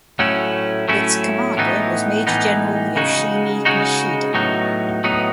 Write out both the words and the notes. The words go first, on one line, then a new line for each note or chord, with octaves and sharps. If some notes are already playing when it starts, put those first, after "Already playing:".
Its commander was Major General Yoshimi Nishida.
A2 F#3 A3 C#4 E4
A2 F#3 A3 C#4 E4
A2 E3 B3 D#4
A2 E3 B3 D#4
C#3 G#3 D#4 F#4
C#3 G#3 D#4 F#4
A2 F#3 B3 D#4
A2 F#3 B3 D#4